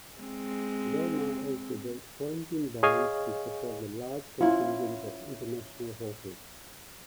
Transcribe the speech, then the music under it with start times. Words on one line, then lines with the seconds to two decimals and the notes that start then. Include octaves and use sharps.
Del Mar also built quarantine barns to support the large contingent of international horses.
0.18 G#3 C4
2.83 G#4 C#5 D#5 F5 G#5
4.41 C#4 E4 F4